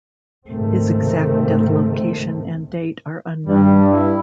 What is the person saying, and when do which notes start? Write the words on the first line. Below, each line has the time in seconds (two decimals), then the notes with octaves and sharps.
His exact death location and date are unknown.
0.47 C#2 G#2 C3 D#3 A3 C4
3.47 G2 G3
3.89 E4